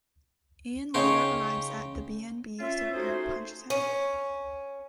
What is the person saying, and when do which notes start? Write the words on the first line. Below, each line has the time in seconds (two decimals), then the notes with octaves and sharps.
Ian later arrives at the B and B so Eric punches him.
0.94 C#3 D#4 C#5 G5 C6
2.59 C#4 F4 E5
2.93 A3 D#4 F#4 G#4 C5
3.70 C#4